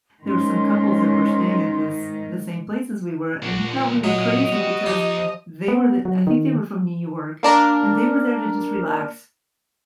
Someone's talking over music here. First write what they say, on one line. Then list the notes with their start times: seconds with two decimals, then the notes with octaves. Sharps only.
there were some couples that were staying at this the same place as we were, and they thought we were crazy because they were the I think they were from New York, and they were there to just relax.
0.23 G#2 D#3 C#4 C6
3.42 A#2 D4 F#4
3.71 C#2 F3
4.04 F#3 E4 C#5 D#5
4.52 G3 F#4 B4
4.86 D#2 F3 D#4 G4
5.68 B3
6.05 F#3
6.27 D#3
7.43 A#3 D4 A#4